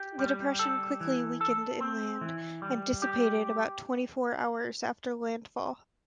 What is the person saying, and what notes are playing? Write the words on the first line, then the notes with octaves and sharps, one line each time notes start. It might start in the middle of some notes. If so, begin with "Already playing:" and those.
The depression quickly weakened inland, and dissipated about twenty-four hours after landfall.
Already playing: G4
G3
A4
E3
A4
C4
E3
G3
G4